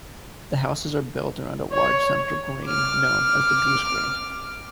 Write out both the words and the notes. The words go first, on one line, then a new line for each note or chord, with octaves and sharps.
The houses are built around a large central green, known as the Goosegreen.
C#5
D6 F6